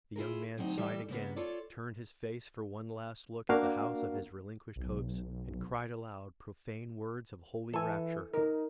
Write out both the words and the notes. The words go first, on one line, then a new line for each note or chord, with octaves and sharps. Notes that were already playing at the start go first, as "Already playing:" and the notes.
The young man sighed again, turned his face for one last look at the house of his relinquished hopes--and cried aloud profane words of holy rapture.
E4 F4 G#4 A#4
D2 F#3 C4 D#4
E3 G3 A4
C#3 A#3 B3
F4 A4 C#5 D5
A#3 D4 F#4 A#4 F5
B1
E3 A4 G#5
D#4 A#4